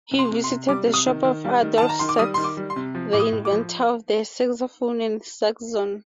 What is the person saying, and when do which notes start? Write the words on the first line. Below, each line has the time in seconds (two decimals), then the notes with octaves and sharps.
He visited the shop of Adolphe Sax, the inventor of the saxophone and saxhorn.
0.11 C3
0.19 C6
0.31 C3
0.44 C6
0.50 C3
0.69 G3 D6
0.87 C3
0.94 D#6
1.06 D#3
1.24 D#3
1.44 G3
1.62 D#3
1.78 D#3 A5
1.89 A#5
1.99 D#3 C6
2.09 D6
2.19 G3 D#6
2.34 D#3 C6
2.44 D6
2.57 G3
2.70 C6
2.76 C3
2.95 F3
3.13 A2 D6
3.20 D#6
3.32 A2
3.45 D6
3.51 F3